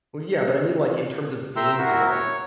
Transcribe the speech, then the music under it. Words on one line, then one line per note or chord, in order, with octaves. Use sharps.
Well yeah, but I mean, like, in terms of game time,
E5 G5 A#5 C6 E6
E4 F#4 A#4
C#5